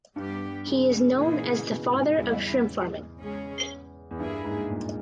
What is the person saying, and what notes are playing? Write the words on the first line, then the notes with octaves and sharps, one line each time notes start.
He is known as the "Father of Shrimp Farming".
G2 G3 B3 G4
C#3
A#2 E3 A#3 D#4 G#4
C#3
B2
G#2
E2 C#3 G3 B3 E4
C#3 G#3 C#4 G#4
E2
G2 G3 A#3 E4 G#4
G#2
A#2